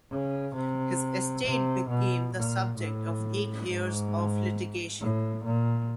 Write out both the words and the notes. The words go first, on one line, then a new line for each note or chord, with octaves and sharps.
His estate became the subject of eight years of litigation.
C#3
C3
C3
B2
A#2
A2
G#2
A2
A#2